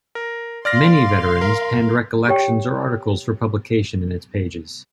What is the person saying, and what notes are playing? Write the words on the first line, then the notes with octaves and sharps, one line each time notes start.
Many veterans penned recollections or articles for publication in its pages.
A#4
D5 F5 C6 F6 A#6
A#4
G4 C#5 G5